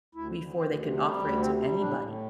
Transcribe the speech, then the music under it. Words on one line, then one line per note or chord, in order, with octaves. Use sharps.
before they could offer it to anybody.
D2 E4
D2
D2 C4
C3
G3 A3
D2
C3 C4
G3
A2 D4
A2